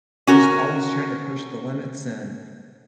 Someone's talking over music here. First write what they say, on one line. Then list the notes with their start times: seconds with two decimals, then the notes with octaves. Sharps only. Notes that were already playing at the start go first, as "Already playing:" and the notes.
just always tryna push the limits and,
0.27 C#4 F#4 A#4